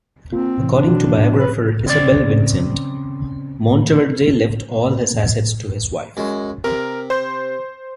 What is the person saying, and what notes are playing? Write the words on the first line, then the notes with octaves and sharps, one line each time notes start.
According to biographer Isabel Vincent, Monteverde left all his assets to his wife.
A#3 C4 F4
A2 C3 E3
D4
B2 F#4
B4
C#3 C4 D5
F#2 G#3
C3 A#4
C5 C6 G6